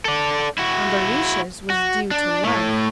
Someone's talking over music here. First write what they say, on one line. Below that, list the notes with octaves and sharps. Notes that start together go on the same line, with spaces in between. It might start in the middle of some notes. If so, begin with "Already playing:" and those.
Ambarisha's was due to love.
A4 D5
E4 F#4
F#4
D4
A2 A3